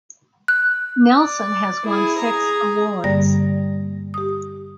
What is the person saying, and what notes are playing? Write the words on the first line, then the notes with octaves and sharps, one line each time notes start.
Nelson has won six awards.
F#6
D5
E4 G#4
G#4 A#5
G2 D3 G3 A#3 D5 A#6
G4 D#6